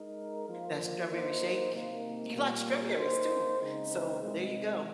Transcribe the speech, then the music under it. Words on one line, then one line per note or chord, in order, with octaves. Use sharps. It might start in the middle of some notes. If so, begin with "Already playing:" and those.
That strawberry shake. You like strawberries too, so there you go.
Already playing: G#3 D#4 A#4
F3 A#3 F4
A#3 D#4 G#4 C5
C3 D#3 A#3
A#2 G3 A#3
A#3 D#4 G#4 C5
C#3 G#3 C4 D#4 G#4
C3 D#3 G#3